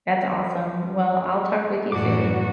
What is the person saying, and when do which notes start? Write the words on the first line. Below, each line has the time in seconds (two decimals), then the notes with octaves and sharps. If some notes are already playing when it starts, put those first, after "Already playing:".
That's awesome. Well, I'll talk with you soon.
1.92 F#2 A2 E3 F#4 D5 D6